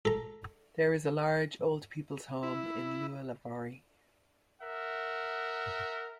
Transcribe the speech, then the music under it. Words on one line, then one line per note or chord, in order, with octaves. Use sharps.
There is a large old people's home in Luolavuori.
A4 A#5
E4
A#4 E5 F#5